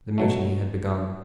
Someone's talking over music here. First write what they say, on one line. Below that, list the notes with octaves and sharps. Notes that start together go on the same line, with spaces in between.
The mutiny had begun!
B2 F#3 A3